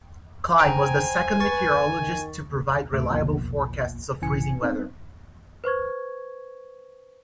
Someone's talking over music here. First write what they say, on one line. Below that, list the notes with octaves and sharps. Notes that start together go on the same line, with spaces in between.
Cline was the second meteorologist to provide reliable forecasts of freezing weather.
C5 G5 G#5 A#5 G#6
B4 C#6 A6
D#3
D2 A2 A3 E5 D6
A#1 E2 B2 F3 A#3
B1 G#2 C#3 E3 G#5 C#7
B3 C4 D#4 A4
B4 C5 C#6 G#6